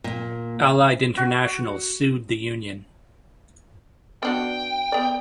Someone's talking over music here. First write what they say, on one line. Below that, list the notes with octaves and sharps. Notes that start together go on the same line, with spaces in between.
Allied International sued the union.
A#2
F#4
B3 D4 F#4 G5
B3 D5